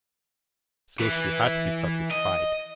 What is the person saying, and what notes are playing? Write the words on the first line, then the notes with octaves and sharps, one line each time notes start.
So she had to be satisfied.
E3 B4
D#5